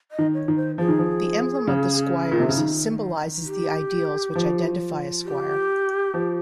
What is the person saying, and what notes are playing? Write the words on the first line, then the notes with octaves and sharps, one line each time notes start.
The emblem of the Squires symbolizes the ideals which identify a squire.
D#5
D#3
C#5
D#3
C5
F3 G#4
D#3
F3
C#3
A#2
C3
C#3
D#3
G4
F3
G4
F3